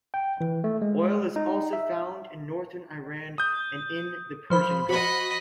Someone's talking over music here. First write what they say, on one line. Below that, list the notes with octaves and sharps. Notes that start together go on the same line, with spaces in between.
Oil is also found in northern Iran and in the Persian Gulf.
G5
E3
A3
G#3
D#4
E5
D#6 G6
F3 C5 B5
F#4 D#5 B5